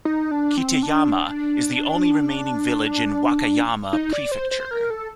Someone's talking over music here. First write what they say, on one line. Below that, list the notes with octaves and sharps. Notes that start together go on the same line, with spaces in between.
Kitayama is the only remaining village in Wakayama Prefecture.
D#4
D4
C4
D4
D#4
D5
C5
C5
A#4
A4